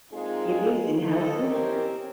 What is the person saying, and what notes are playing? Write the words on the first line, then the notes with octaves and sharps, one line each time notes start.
He lives in Helsinki.
A#2 G#3 C4 D#4 F4 G#4
A4 D#5
C4 C#4 E4 G4 A#4